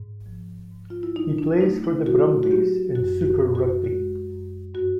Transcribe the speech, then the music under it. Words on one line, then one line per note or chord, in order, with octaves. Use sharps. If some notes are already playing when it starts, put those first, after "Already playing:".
He plays for the Brumbies in Super Rugby.
Already playing: G#2
F3
G#2
F4
E4
F#3 D#4
D4
A3 D#4
E4
F#3 F#4
F#4
F#3 G4
F#2 F#4
F#4
G4
F#2
F#4
G#3 F#4
F#2
G2 F#4